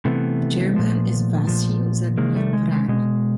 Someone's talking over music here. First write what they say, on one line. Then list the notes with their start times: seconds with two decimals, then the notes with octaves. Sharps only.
The chairman is Vasil Zadnyaprany.
0.05 C3 E3 A3 B3
0.76 A#2 F3
1.47 A#2 F3
2.17 C3 D#3 G#3 A#3
2.35 G3 A3
2.53 G#3
2.72 G#3
2.88 B2 G#3